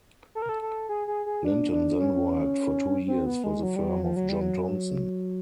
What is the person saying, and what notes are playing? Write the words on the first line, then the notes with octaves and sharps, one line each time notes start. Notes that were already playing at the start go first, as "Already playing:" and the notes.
Linton then worked for two years for the firm of John Thompson.
A4
A#4
A4
A4
G#4
G#4
G#4
D4
D4
C#4
C4
B3
G#3
F#3
G3
F#3
F3
F#3
G3
F#3